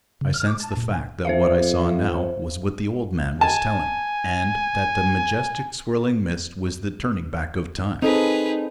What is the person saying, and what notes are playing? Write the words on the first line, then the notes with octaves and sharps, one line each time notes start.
I sensed the fact that what I saw now was what the old man was telling, and that the majestic, swirling mist was the turning back of time.
C#3
F6
D6
A5
A#2
G#5
F2 C5 E5 F5
G#5 A5
C4 D#4 G#4 A4 B4